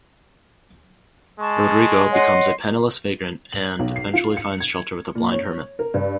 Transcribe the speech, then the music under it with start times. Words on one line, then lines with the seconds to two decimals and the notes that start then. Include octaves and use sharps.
Rodrigo becomes a penniless vagrant, and eventually finds shelter with a blind hermit.
1.40 G#3 A5 C#6
2.12 C#5 D#5 F#5 C6
3.52 F#7
3.79 B1
3.96 C7
4.14 F4
4.37 C#7
4.60 G#6
5.15 A#2
5.32 C#5
5.79 A#4
5.94 G2